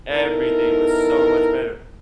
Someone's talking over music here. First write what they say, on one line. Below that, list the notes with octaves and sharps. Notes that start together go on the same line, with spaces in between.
Everything was so much better,"
B3 D#4 E4 A4 A#4